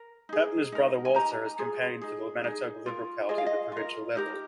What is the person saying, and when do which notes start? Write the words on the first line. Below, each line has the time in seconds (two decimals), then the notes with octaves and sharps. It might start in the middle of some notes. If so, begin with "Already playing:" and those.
Hoeppner's brother Walter has campaigned for the Manitoba Liberal Party at the provincial level.
Already playing: A#4
0.29 D#4 G#4
0.72 D#4 A#4
1.05 G#5
1.15 D#4 G4 A#4 A#5
1.59 F4 G#4
2.01 D#4 G#4
2.44 D#4 G#4
2.86 F4 A#4
3.29 F4 G#4 D#5
3.38 F5
3.46 D#5
3.72 F4 A#4
4.16 D#4 G4 A#4